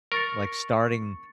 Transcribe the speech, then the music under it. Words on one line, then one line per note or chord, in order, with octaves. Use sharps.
like starting
A#4 C#6 A6 C#7